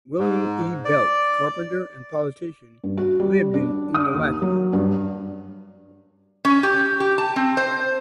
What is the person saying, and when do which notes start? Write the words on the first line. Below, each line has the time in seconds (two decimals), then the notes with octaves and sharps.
William E. Beltz, carpenter and politician, lived in Unalakleet.
0.19 G#2
0.85 D5
2.84 G2
2.97 F#4
3.20 G3
3.54 D4
3.94 D#6
4.14 D#2
4.42 F#3
4.73 G2
6.45 C#4
6.63 G4
7.00 G4
7.18 A5
7.36 C4
7.57 C5